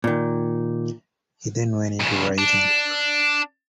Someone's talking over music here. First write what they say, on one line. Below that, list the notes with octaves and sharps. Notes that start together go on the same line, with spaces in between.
He then went into writing.
A#2 D#3
F2 C#3
D4